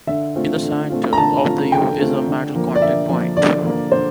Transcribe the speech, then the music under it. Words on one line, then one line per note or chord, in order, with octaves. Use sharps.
In the center of the "U" is a metal contact point.
D3 E5
A3 C4 F4
D3
A3 C4 F4
A#5
D3 A5
A3 C4 F4
D3 G5
A3 C4 F4
D3
F3 A#3
D5
D3 E5
F3 A#3
D3 D5
F3 A#3
D3 C5